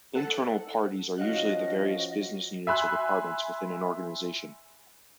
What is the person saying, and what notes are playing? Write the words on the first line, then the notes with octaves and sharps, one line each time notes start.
Internal parties are usually the various business units or departments within an organization.
A4 F#5
F3 C#4 F#4 D#5 F5 F#6
E5 G#5 B5 C6 E6 F#6